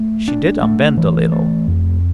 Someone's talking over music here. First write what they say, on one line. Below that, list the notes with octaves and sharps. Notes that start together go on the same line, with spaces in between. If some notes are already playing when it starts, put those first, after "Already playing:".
She did unbend a little.
Already playing: A3
D4
A3
E3
A3
F2